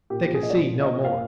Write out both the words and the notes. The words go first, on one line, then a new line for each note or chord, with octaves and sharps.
They could see no more.
A#2 G4
F3
G#4
A#2 D#5
D5
F3 C5
A#2
D#5
F3
A#2 F5